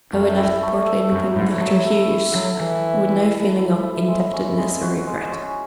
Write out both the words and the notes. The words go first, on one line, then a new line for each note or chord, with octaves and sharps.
So he left the portly-looking Dr. Hughes, with no feeling of indebtedness or regret.
F#2 A3
E4
A3
A4
F#2 A3
G#2 E4
F#3 A3
A4
E4
F#3 A4
E3 E4
E5
E4
A4
E4
E5
G#3
C#4
G#3
F#4
G#3
C#4